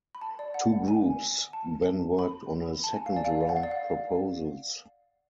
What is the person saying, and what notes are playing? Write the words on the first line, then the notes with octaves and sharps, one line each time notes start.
Two groups then worked on a second round proposals.
B5
A5
D5
F#5
G#5
A5
B5
A5
G#5
F5
D5
F5
D5
F#5
F5
D5
F5